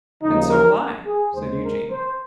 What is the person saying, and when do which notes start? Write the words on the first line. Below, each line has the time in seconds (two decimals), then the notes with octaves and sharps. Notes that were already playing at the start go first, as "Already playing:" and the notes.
'And so will I,' said Eugene.
0.22 D#2 C#3 F3 D#4
0.50 A#4
1.06 G#4
1.34 D#2 C#3 G#3 C5
1.63 A#4
1.90 C5